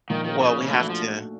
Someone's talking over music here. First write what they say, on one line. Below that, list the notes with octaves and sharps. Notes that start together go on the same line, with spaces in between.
Well, we have to
A#2 D#3 F3 A#3 D#4
D#3
C#3
C#3
D3 A3 D4 F#4
E3
F3